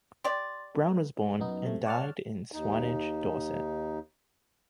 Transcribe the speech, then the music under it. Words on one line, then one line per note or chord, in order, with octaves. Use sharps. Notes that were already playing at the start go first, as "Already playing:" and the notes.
Brown was born and died in Swanage, Dorset.
G4 D5 C6 A6
F#2 B3 D#4
F#2 C3 A3
C#5 D5 F#5 A5 F6
D#2 D#4